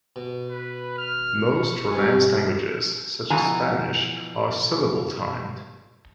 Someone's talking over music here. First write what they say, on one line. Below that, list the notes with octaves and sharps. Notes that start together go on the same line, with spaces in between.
Most Romance languages, such as Spanish, are syllable-timed.
B2
B4
F6
C#6
G2 C3 G#5
B2 E3 F3 G#5 A#5